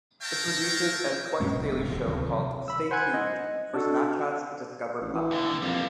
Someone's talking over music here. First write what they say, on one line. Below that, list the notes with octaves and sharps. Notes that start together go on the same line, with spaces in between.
It produces a twice-daily show called "Stay Tuned" for Snapchat's Discover platform.
C#5 E5 F5 G5 A5 A#5
F#2 A#2 G#3 C#4
F1 C2
D1 B3
D1 E2 D3 F#3
D2 C3 D#3 F#3
C3 D#3 F3
B5 E6
C5 F#5 G#5 F#6 G#6
D#5
D4 F#4 A4
A1
E3
D#2 D3
F2 G3 A#3